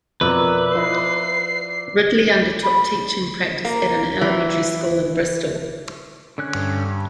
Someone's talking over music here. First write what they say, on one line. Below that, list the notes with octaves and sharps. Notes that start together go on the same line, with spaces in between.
Ridley undertook teaching practice at an Elementary School in Bristol.
F2 B2 A#4 B4 D5 E5
F3 E4 D#5 C7
B5
A#3
E3
D3 C#4 F#6
G2